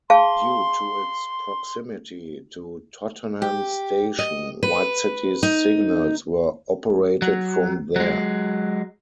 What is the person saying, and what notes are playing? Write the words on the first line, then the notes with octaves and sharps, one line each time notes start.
Due to its proximity to Tottenham station, White City's signals were operated from there.
G#4 F5 A5 C6
G4
D#5
B4
D#4
F#3
F#3 G#3